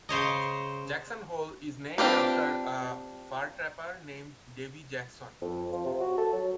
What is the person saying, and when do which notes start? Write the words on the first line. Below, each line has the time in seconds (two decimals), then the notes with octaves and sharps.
Jackson Hole is named after a fur trapper named Davey Jackson.
0.09 C#3 C5 C#5 D#5
1.98 C4 D4 F4 G4 B4
5.41 F2
5.72 F3
5.86 C3
6.01 F#4
6.18 A4
6.33 F#3